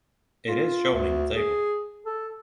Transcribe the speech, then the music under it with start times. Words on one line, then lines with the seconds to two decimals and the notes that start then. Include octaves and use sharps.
It is shown in the table.
0.48 F4
0.93 D2
1.36 G#4
2.06 A4